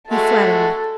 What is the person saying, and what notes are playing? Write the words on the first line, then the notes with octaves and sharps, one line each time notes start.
"You flatter me!"
G#3 A3 F#4 A4